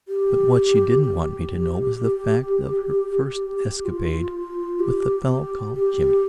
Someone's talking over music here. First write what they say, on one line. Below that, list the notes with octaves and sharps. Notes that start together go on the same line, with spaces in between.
But what she didn't want me to know was the fact of her first escapade with the fellow called Jimmy.
G4
G4
F4
G4
G4